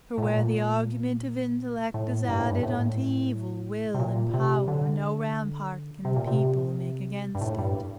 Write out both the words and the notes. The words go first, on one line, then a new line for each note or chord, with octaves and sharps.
For where the argument of intellect Is added unto evil will and power, No rampart can the people make against it.
A2
A#2
A2
G2
A2
G2
A2
C3
A#2
C3
D3
C3
A#2
C3
G2
A2
G2